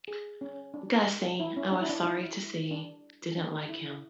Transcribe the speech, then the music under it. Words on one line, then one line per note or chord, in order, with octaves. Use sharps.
Gussie, I was sorry to see, didn't like him.
G#4
C#4
D4
E4
C#4
D4
E4
D4
E4
D4
D4
E4